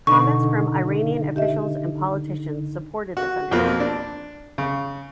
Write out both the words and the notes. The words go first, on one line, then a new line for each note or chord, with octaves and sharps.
Comments from Iranian officials and politicians supported this understanding.
B2 D3 D#4 C#6
G4 D#5 E5
F#4
F2 B2 A#3 C4 F4
D4
C#3